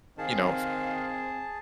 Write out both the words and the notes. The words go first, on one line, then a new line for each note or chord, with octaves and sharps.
you know, f
D#3 C4 G#4 F5 A5